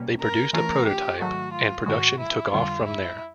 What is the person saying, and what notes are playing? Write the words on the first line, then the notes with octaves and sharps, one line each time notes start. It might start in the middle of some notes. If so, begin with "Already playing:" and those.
They produced a prototype and production took off from there.
Already playing: B2 G3 A#3 C#4
A#4
E3 A3 C#4 F4 A#4
G4
G#2 D#3 F#3 A3 F#4
F4
G#2 D#3 G#3 F#4
E4
F2 D3 G3 F4
E4